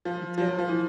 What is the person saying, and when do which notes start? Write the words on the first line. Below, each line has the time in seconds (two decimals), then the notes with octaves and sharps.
I do.
0.05 F3
0.38 F3
0.58 F3
0.68 E3